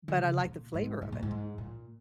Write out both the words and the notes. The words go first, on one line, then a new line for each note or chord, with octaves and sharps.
but I like the flavor of it,
D#3
C#3
C#3
A#2
G#2
G#2
A#2
G#2
A#2